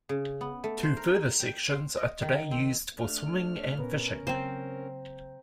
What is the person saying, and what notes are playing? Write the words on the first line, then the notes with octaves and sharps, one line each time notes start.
Two further sections are today used for swimming and fishing.
C#3
B3
A3
C5
A#4
G5
C6
D#5
D#3
C4
A3 D4 F6
A#2 B3 C#4 A#4
C#3 F#3 A#3 C4 C5 G5 A#5